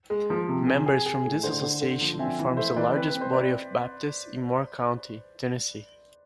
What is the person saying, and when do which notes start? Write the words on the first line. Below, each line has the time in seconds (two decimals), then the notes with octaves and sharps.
Members from this association form the largest body of Baptists in Moore County, Tennessee.
0.10 G#3
0.30 F3
0.49 C3
0.67 G#4
0.86 G#4
1.06 G#4
1.25 A2
1.43 D3 C5
1.62 D3
1.81 D3
2.01 F3
2.19 C4 E5 G#5
2.39 E3
2.57 A3 C5 E5
2.76 E3 B4 D5
2.96 C4 B4
3.08 B4
3.15 C4
3.21 C5
3.33 C4 B4 D5